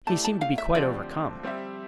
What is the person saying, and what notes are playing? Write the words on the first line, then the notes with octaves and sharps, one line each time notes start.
He seemed to be quite overcome.
A3 E4 G4 D5 A5
A5
F5
E5
D3 F3 A3 C4 G4 D5
G3 C4 G4 C5 E5